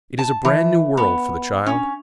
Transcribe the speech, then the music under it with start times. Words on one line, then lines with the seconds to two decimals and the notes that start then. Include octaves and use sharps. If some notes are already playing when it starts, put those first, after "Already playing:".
It is a brand-new world for the child.
0.19 A5
0.45 E3
0.97 B3
1.66 C#4